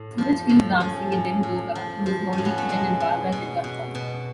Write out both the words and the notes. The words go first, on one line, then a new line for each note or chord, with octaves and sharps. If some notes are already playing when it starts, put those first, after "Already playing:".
Suraj kills Ramsingh and then Goga, who was holding Kiran and Balraj at gunpoint.
Already playing: A2
F3
A2
F3 C#4
A2
A2
F3
F3
C#4
A2
B3
A3
B2 G#3
B2
B2
B2
B2